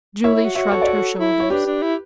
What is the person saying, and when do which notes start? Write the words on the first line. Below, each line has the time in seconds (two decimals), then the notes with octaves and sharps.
Julie shrugged her shoulders.
0.24 E4 C#5 E5
0.34 E4
0.45 F#4
0.55 F#4 C#5 E5
0.71 A4 C#5
0.81 D5
0.87 A4 C#5
1.19 E4
1.40 C#5
1.50 D4 G4 B4
1.67 D4
1.82 E4